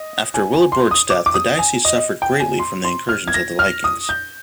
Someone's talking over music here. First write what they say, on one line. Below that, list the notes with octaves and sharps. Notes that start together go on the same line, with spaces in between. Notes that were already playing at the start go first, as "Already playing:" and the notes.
After Willibrord's death the diocese suffered greatly from the incursions of the Vikings.
Already playing: D#5
G#5
G#5
C6
D#6
D6
D6
D#6
G#5
D#5
G5
G#5
C6
C6
F6
G#6
A#6
F6
D#6
G6